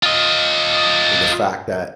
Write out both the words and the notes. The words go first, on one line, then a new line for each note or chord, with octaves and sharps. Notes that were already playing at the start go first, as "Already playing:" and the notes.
And the fact that
F4 D#5